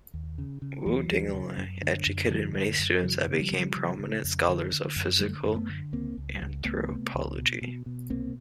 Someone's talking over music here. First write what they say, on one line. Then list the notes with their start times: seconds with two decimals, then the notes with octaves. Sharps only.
Wu Dingliang educated many students that became prominent scholars of physical anthropology.
0.14 D#2
0.38 C#3
0.62 C#3
0.86 D#2 E3 F#3
1.10 D#2
1.34 C#3
1.58 F#2
1.83 D3
2.07 F#2
2.30 D3 F3 G3
2.55 F#2
2.79 F#2
3.03 C#3 E3 F#3
3.28 C#3
3.39 F3 G3
3.51 C#3
3.76 C#3
3.99 C#3
4.24 F2
4.49 D3
4.72 D3
4.96 F#2
5.20 D3 G3 A3
5.44 F#2
5.56 A3 B3
5.69 D3
5.92 C#2 A#3 C4
6.18 C#2
6.41 C#2
6.65 C#2 A3 B3
6.89 C3
7.14 C#2
7.38 B2
7.62 B2
7.86 B2
8.10 C2 A#3 C4